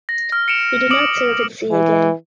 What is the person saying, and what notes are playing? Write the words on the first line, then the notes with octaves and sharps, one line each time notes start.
He did not serve at sea again.
A#6
F6
C#7 D7 E7 F7
D6 D#6 A#6 D7 F#7
E3